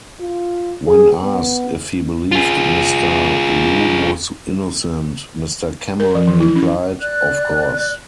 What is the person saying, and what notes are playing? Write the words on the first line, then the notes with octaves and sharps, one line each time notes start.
When asked if he believed Mr Lew was innocent, Mr Cameron replied: of course.
F4
G#4
B3
F4 G#4
A#4
F3
E3
E4
C#4
D5 F#6